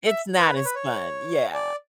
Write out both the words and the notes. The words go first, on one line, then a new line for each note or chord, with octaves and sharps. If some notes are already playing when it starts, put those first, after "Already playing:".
It's not as fun, yeah,
E5
B4
C#5
B4
C#5
D5